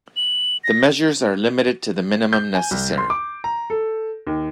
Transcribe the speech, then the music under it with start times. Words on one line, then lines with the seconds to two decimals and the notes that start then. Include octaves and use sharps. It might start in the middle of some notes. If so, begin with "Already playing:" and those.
The measures are limited to the minimum necessary.
0.16 F#7
0.64 A#6
2.33 G6
2.55 G#5
2.71 C2
2.98 C6
3.10 D6
3.44 A#5
3.70 A4
4.27 D#2